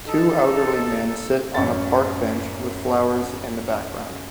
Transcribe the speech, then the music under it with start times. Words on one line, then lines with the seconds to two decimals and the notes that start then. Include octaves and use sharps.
Two elderly men sit on a park bench, with flowers in the background.
0.04 D#4 A4
1.54 A1 F#2 C#4 C#5 A6